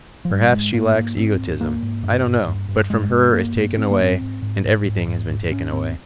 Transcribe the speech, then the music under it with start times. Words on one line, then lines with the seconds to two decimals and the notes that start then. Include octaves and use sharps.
Perhaps she lacks egotism, I don't know, but from her is taken away, and everything has been taken away.
0.25 F3
0.30 G#2 G3
0.52 G#2 G#3
0.73 G#2 A#3
0.94 G#2 A#3
1.17 G#2 C4
1.39 G#2
1.60 G#2 A#3
1.83 G#2
2.03 G2
2.25 G2
2.47 G2
2.69 G2
2.90 G2 G#3
3.12 G2
3.33 G2 A#3
3.56 G2
3.77 G#2 C4
3.91 A#3
3.99 G#2 C4
4.21 G#2
4.42 G#2
4.65 G#2
4.85 G#2
5.08 G#2
5.30 G#2
5.51 G#2 C#4
5.72 G#2 C4